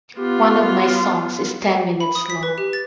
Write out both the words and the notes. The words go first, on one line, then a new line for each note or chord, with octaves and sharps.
One of my songs is ten minutes long.
B3 F4 G4
B5
D#6
B6
B4
G4
A6